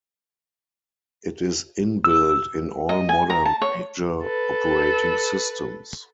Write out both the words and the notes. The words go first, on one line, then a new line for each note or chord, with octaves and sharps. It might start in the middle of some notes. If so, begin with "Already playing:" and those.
It is inbuilt in all modern major operating systems.
E6
D#5
G#5
A#5
A5
C#5
A4 B4